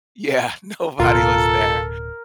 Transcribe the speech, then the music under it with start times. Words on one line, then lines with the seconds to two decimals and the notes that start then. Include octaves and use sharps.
Yeah, nobody was there,
1.00 D1 B2 F4 A4 A#4